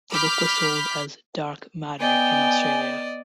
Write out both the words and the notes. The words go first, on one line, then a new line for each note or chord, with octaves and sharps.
The book was sold as "Dark Matter" in Australia.
B5 D6 F6 G6 B6
B3 D5 D#5 G5 G#5